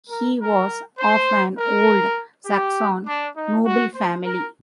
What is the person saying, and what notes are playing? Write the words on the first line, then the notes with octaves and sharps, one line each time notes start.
He was of an old Saxon noble family.
A#4
A#4
C5
A#4
G4
D4
D#4
F#4
C5
A#4